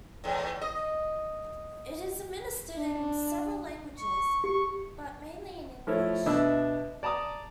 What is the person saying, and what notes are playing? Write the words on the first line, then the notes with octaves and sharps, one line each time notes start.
It is administered in several languages, but mainly in English.
E2 A2
D#5
D4
C#6
G4 C#6
F3 A3 E4 C#5
B2 D4 D#5 E5 E6
D5 A5 A#5 D6 D#6